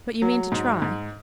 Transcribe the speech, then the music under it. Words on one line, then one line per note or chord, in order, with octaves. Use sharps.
"But you mean to try?"
F#3
G#2
G#2